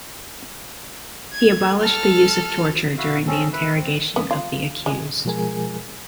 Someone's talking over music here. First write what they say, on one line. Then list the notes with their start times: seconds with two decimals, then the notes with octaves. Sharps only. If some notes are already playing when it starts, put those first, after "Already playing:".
He abolished the use of torture during the interrogation of the accused.
1.33 G#6
1.81 A4 F6
2.98 E4 F#4 E5 F5
3.27 C4 C#4 G#4 A4
3.52 B4 E5
3.74 C4
4.16 B3
4.31 F4
4.86 G#3
5.25 B2 F3 G#3 G#4 A#4 G#5